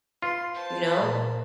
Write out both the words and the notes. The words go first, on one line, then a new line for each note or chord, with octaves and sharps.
you know?
F4 B4 C6
C5 A5
A#2 A#4